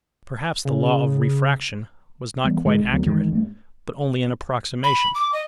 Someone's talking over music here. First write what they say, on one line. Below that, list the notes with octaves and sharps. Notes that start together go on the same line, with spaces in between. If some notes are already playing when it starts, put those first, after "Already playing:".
Perhaps the law of refraction was not quite accurate, but only an approximation.
C#3
E3 G3 B3
G#2 D3 G#3
G#1
D2 F#3 B3
G2 D#3 E3 G#3
G2 A3
B5
D6
D#5